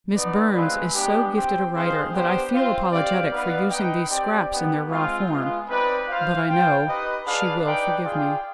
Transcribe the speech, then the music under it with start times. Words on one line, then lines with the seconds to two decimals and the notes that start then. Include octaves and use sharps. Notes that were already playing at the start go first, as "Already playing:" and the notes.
Miss Burns is so gifted a writer that I feel apologetic for using these scraps in their raw form, but I know she will forgive me.
0.15 B3 D#4 B4 D5
0.55 G#3 C4 F4 B4
0.94 G#3 B3 D4 G4
1.33 C4 G4 C5 G5
1.73 C4 D#4 G#4 C5 F5
2.12 B3 D4 G4 C5
2.51 C4 F4 C5
2.90 C4 G4 D5 F5
3.30 B3 D#4 B4 D5 F5
3.70 D#4 B4 D#5 G5
4.09 C4 G4 D5 G5
4.49 B3 D#4 G4
4.88 G#3 C4 F4
5.27 G#3 B3 F4
5.66 C4 D#4 B4 D5
6.07 F4 C5 F5
6.46 F4 C5 G5
6.85 D#4 G4 B4 D#5
7.25 D4 G#4 B4 D5 F5
7.64 D#4 B4 D5 G5
8.03 F4 G#4 D5 G5